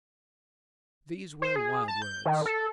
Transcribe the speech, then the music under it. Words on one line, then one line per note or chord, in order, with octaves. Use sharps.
These were wild words.
C5
G#4
A5
G6
D#3
A4